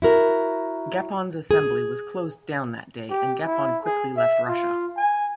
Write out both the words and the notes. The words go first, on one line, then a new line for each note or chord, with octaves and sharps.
Gapon's Assembly was closed down that day, and Gapon quickly left Russia.
E4 F#4 A#4
G#4
G4
E4
G#4
E5
F4
G#5